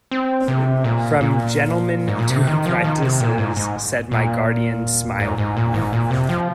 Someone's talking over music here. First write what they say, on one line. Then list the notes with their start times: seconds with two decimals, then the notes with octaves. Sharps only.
"From gentlemen to apprentices," said my guardian, smiling.
0.11 C4
0.48 C3
0.84 A#2
1.21 A#2
2.08 G#2
2.19 A#2
2.30 C3
2.47 D#3
2.66 F3
2.84 D#3
3.02 C3
3.20 A#2
3.38 G#2
3.57 G#2
4.11 A#2
5.20 G#2
5.38 G#2
5.57 A#2
5.74 G#2
5.93 A#2
6.11 C3
6.29 F3